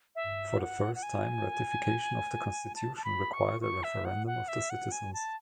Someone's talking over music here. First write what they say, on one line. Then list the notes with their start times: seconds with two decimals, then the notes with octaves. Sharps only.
For the first time, ratification of the constitution required a referendum of the citizens.
0.16 E5
0.59 F#5
0.95 F#5
1.03 G#5
2.75 A5
2.97 A5
3.04 B5
3.33 C#6
3.62 C#6
3.84 E5
4.05 F#5
4.27 F#5
4.48 E5
4.70 F#5
4.92 G#5
5.13 A5